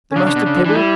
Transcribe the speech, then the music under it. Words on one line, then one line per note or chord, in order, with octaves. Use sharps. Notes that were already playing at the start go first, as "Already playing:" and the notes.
'The mustard, Prebble?
C#4
C#3 D4
C#3
B2
C#3
D3
E3 D4
G3 E4